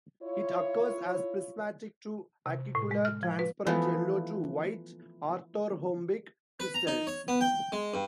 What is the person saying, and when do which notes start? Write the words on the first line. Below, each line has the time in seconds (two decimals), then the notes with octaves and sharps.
It occurs as prismatic to acicular transparent yellow to white orthorhombic crystals.
0.23 E4 F4 C#5
2.46 C3
2.75 A2
2.91 G#3
3.05 F6
3.23 F3
3.39 B4
3.67 E3 F3 A3 B3
6.60 B4
6.74 A#5
6.87 D#4
7.07 C#5
7.28 B3
7.41 G5
7.72 G#3
7.94 G2